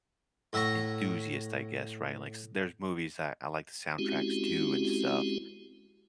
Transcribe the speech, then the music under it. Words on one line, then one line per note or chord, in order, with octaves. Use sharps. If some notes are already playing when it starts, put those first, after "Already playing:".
enthusiast, I guess, right, like s there's movies that I like the soundtracks too and stuff,
A2 E5 F#5 A#5 C#6
G#3 C4 C#4 E4 F#4 G4